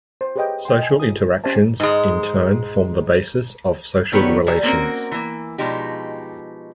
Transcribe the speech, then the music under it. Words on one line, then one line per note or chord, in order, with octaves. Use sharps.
Social interactions in turn form the basis of social relations.
C5
G4 G#4 B4 C#5 D#5 G5
G5 C6
D#5 G#5
F4 D#6
C#4 G4 C5 C#5 E5 A5
G#2 G#3
D3 D#3 B3 G4 B4 C#5
F#3 G3 G#4
A#3 C4 C#4 F#4 A#4
E3 A#3
B2 F3 G#3 D#4 G4